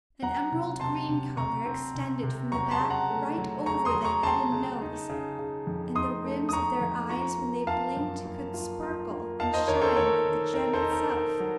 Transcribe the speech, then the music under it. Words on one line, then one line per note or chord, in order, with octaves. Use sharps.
An emerald green colour extended from the back right over the head and nose; and the rims of their eyes when they blinked could sparkle and shine like the gem itself.
F#3 F#5 A#5
C3
C3 A5 C6
C3
C3 A#5 C#6
C4
C3
C3
F#3 A#5 C#6
A5 C6
C#3
F#5 A#5
A3
F#3
C#3 A#5 C#6
C6 D#6
F#3
A#5 C#6
C#3 A5 C6
C#3
D#4
C#3
C#3
F2
D#4 C6 D#6
A3
D#6
A3 A#5 C#6
F2
F4 A#5 C#6
A#3
F4 F5 A5
F#2
A#3
F4
F4
A#3
D#4 F5 A5
C5 D#5
D#3 A#4 C#5
A4 C5
D#3 A#4 C#5
D#3
D#4 A#4
A4 C5
D#4
A#4
D#4 A#4
F#3